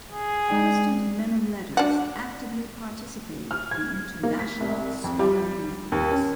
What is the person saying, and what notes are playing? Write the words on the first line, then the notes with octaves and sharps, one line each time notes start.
Protestant men of letters actively participated in international scholarly networks.
G#4
G#3 D5 G5
D4 F#4
F6
G#6
A#3
B6
C2
F2
G3
D#2
C#4